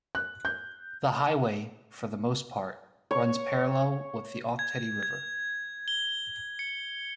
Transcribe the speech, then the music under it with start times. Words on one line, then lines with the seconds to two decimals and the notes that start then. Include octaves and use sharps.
The highway, for the most part, runs parallel with the Ok Tedi River.
0.15 F#6
0.45 G6
3.11 C#5
4.59 G#6
5.03 G#6
5.88 G7
6.59 C#7